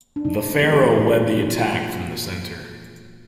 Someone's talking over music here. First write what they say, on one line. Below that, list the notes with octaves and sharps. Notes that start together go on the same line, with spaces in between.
The Pharaoh led the attack from the center.
D4
C3 D#4
E3 G#3 B3 G#4
G4
G#4
A#2 F#4
F4
F#3 A#3
F4